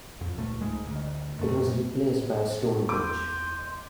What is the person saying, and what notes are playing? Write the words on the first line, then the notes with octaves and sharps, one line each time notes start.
It was replaced by a stone bridge.
F2
D#1 C#2 A3
C#2 G#2 G#3
D2
F#2 A3
E2 C6 D6 G6 D#7